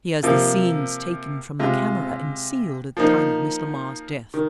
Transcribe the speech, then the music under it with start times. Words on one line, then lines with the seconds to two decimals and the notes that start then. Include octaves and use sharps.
He has the scenes taken from the camera and sealed at the time of Miss Lamar's death.
0.23 C3 F3 A#3 F4
1.60 C3 G#3 F4
2.97 F3 A#3 D#4
4.34 D#3